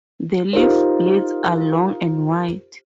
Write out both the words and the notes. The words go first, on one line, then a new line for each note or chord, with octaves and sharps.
The leaf blades are long and wide.
D#4 F4 G4 A#4 C5